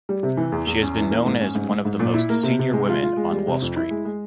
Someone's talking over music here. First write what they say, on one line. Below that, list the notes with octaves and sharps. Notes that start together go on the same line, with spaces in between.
She has been known as one of the most senior women on Wall Street.
G3
C3
E3
E2
E2
C#4
E3
A#3
G#2
C#4
G#2
G#2
G#2
A#2
E4
A#3
C3
C3
G#3
F4
F4
G#3
G3
C3
F2
E4
G#3
G#3